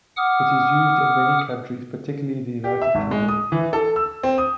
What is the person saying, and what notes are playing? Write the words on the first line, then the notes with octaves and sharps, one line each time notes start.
It is used in many countries, particularly the United Kingdom.
F#5 D6 D#6 F6
G4
E5
G#1
G#3
D#6
E3
A4
E6
C4
D#6